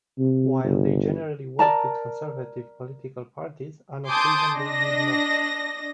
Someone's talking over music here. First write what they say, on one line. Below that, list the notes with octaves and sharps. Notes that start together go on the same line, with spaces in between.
While they generally worked with conservative political parties, on occasion they did not.
C3
G1
A#4 D5 A5 A#5
G#5 A5 C6 D6 D#6 G6
D4 D#5 A#6